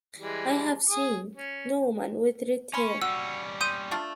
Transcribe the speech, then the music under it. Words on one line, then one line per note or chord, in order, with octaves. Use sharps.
I have seen no woman with red hair.
E3 G3 G#3
G#4 D#6
C#4
C#4 G#5 B5 C6
G3 C#4 F#4 E6
C6 D#6 G6 D#7
A3 D4 F4